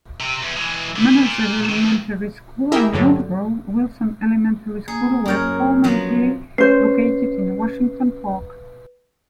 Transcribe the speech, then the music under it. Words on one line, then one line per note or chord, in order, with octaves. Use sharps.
Manners Elementary School and Woodrow Wilson Elementary School were formerly located in Washington Park.
C3
E2
E3 G#3
D3 B3
A#2
D#3 E3
D#4 E4 G4 G#4 A#4 E5
E2 G2 D3 F#3
A#3 G#4
F#2 A#4 C#5
F3 F#3 B3
C#4 B4 C5 C7